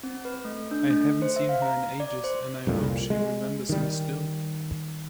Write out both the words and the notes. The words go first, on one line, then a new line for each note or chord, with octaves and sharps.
I haven’t seen her in ages, and I hope she remembers me still!
C4
B4
A3
D4
A3
C5
E5
F5
A#5
D5
C5
C2 F2 A#2
G#3
D#3 G3